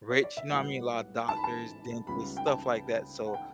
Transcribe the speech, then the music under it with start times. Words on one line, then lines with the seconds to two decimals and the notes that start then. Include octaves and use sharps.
rich, you know what mean? A lotta doctors, dentists, stuff like that, so
0.11 C#5
0.23 D5
0.37 E5
0.49 B1 A2 G3 B3 F#5
1.29 A5
1.37 B5
1.44 A5
2.07 C#2 C#3 G3 B3 B5
2.37 G5
2.48 A5
3.27 F#5
3.34 G5